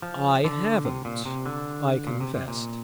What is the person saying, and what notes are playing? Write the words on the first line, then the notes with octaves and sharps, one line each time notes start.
"I haven't," I confessed.
F3
D3
C3
A#2
C3
D3
A#2
C3
C3
A#2